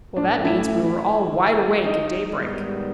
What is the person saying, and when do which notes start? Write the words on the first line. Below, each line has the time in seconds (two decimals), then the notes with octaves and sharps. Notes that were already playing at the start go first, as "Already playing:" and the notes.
"Well, that means we were all wide awake at daybreak."
0.17 A2 F#3 A3 C#4 D4
0.45 E4
1.84 D#4
2.40 G#2 D#3 G3 B3